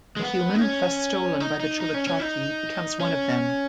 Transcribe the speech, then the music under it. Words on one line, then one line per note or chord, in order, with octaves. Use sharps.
A human thus stolen by the Chullachaqui becomes one of them.
G#3
B3
D#4
C#4
D#4
D#4
D#4
C#4
C#4
D#4
C#4